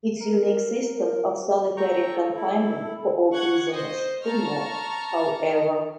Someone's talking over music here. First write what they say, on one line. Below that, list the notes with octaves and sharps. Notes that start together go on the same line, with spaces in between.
Its unique system of solitary confinement for all prisoners did not, however.
A#4
A4 G5 A#5 C#6
E4
F#5 C#6 F#6 G#6
C5 D#5 D#6
A5 A#5 C#6 F6